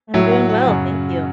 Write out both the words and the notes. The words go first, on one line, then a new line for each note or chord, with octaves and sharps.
I'm doing well. Thank you.
A2 F#3 E5
F#5
F#5
F#2 C#3 F#3